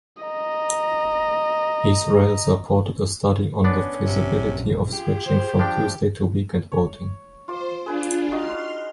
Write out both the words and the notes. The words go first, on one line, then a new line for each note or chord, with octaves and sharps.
Israel supported a study on the feasibility of switching from Tuesday to weekend voting.
D#5 A#5
B3 C#4 D4 D5
A#1 F#2 C3
F4 G4 G#4
C5
F3 D4 G5
C#5
F4 C5 D6
D4 F4 G#4 B4 G#5
D#4 F#4 D#5 C6 F6